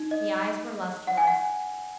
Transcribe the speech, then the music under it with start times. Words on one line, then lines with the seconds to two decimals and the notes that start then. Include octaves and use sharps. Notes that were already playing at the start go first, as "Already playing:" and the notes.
The eyes were lustreless.
Already playing: D#4
0.11 D#5
1.07 F#5
1.17 G#5
1.27 F#5